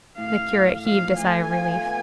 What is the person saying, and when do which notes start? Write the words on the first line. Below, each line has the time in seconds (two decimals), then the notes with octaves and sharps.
The curate heaved a sigh of relief.
0.18 A2 F5
0.51 A2
0.85 F3 F5
1.18 A3 G#5
1.51 F4
1.85 B3